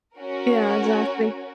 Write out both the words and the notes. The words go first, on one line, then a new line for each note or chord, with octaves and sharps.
Yeah, exactly.
C#4 F#4 A#4